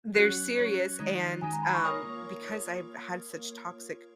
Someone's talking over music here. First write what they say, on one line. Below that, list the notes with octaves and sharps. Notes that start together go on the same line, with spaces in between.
they're serious, and, um, because I've had such toxic
F#3 C#4 F#4 C#5 F#6
F#3 C#4 F#4 C#5
D#3 G#3 D#4
D#3 G#3 D#4 G#5
A#5
B5
C#6
A#3 F4 A#4 C#5 D#6